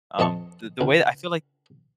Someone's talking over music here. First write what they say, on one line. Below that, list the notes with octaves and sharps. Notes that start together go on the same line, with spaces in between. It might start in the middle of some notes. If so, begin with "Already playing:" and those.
um, the the way I feel like,
F2 C4 D#5 A5 C#6
C#2